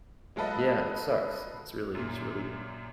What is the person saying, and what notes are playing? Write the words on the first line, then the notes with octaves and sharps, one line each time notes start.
Yeah, it sucks. It's really it's really
F#3 G#3 F4 A4 B4 D#5
F#2 A#2